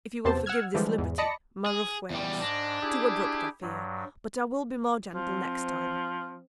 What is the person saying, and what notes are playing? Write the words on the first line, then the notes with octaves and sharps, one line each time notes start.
If you will forgive this liberty,--my rough ways,--too abrupt, I fear--but I will be more gentle next time.
E2 C3 B3 C4 C5 A5
F#5 E6 F6 G#6
D3 E3 F3 G3 G#3
E2 G#2
D5 D#5 A5 B5 A#6 C#7
G#4
E2 G3
G#2 D4 A#6
E4 G4 G#4
G2 F#3
F3 C4